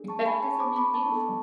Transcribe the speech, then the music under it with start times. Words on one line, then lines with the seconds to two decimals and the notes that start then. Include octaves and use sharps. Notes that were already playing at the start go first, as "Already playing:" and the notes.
our kids will be beautiful.
Already playing: D4 G#4
0.08 A5 C#6
0.26 G#5 B5
0.43 A5 C#6
0.60 B5 D6
0.76 B5 D6
0.94 A5 C#6
1.10 B3 D4 A4